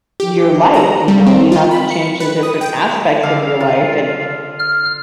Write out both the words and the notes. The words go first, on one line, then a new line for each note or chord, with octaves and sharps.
your life, you know? You have to change the different aspects of your life and
G4
A#5
G3
C4
F4
B5
C#7
B4
D#6
G5
D3 F5
F4
F6